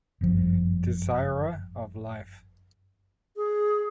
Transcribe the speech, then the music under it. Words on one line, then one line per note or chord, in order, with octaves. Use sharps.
"Desirer of Life".
G1 F#2 F3
G#4